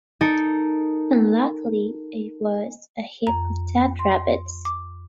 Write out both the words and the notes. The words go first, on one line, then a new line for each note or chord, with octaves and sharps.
Unluckily, it was a heap of dead rabbits.
D#4 A4 A#4
F2 A#5
C6
D6